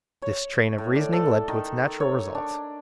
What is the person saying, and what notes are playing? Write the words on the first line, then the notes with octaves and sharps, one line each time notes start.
This train of reasoning led to its natural results.
C#5
A2
D5
A4
D#3
C#5
D4